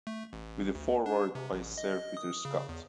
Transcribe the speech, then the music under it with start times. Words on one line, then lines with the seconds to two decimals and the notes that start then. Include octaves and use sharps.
With a Foreword by Sir Peter Scott.
0.07 A3
0.33 A1
0.75 D2
1.06 D4
1.35 C3
1.53 A1
1.78 D#5
2.17 D#6
2.45 C#3
2.69 E2